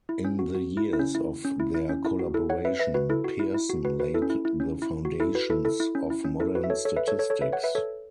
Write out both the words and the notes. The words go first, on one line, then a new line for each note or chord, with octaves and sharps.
In the years of their collaboration Pearson laid the foundations of modern statistics.
E4
C#4
F#4
F#4
E4
E4
C#4
E4
C#4
E4
E4
C#4
E4
F#4
E4 A4
C#5 F#5
B4 E5
B4 E5
F#4 B4
E4 A4
F#4
E4
E4
F#4
F#4 B4
F#4 B4
E4 A4
C#4
E4
E4
C#4
E4
F#4
E4 A4
F#4 B4
E4 A4
E4 A4
E4
C#4
E4
C#4
E4 A4
F#4 B4
E5
A4 C#5
A4 C#5
B4 E5
A4 C#5
A4 C#5
A4 C#5
B4 E5
C#5 F#5
B4 E5
A4 C#5